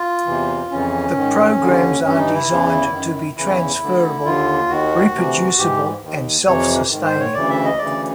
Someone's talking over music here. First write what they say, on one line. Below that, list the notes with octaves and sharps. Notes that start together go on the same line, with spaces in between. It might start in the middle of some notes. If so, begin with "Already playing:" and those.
The programs are designed to be transferable, reproducible and self-sustaining.
Already playing: F4
E2 C3 E3
F2 C#3 E3 C#4
G#2 D#3
D#2 D3
G2 E3 C#4
D#4
E4
E2 C#3 E3
F#2 D#3
E2 C#3 E3 E4
D2 D3
D#2 D3 F4
D#2 D#3 F#4
D2 C3 E3
G#2 E3 G4
D#2 D#3
F2 C3 E3 C#5
G#2 D#3
C5
C#5
D2 C#3 E3 D5
E5
D#5
D2 C#3 E3 D5